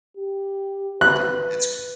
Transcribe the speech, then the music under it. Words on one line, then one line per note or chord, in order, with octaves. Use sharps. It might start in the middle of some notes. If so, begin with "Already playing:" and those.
Is it it's
G4
B4 F#6